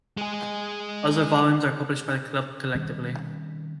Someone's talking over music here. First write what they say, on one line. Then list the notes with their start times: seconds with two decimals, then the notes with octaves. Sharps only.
Other volumes are published by the Club collectively.
0.17 G#3 G#4
2.75 D#3 G3 C4 C#4